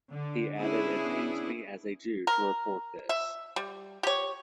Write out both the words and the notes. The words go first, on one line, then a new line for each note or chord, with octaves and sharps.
He added "It pains me as a Jew to report this".
D3
B3 C#4 D4 E4 G#4
A#4
E5
G3
G4 C#5